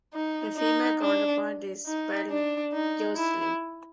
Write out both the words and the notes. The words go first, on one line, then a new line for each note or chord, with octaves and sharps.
The female counterpart is spelled "Jocelyne".
D#4
D#4
D4
D#4
D4
D#4
E4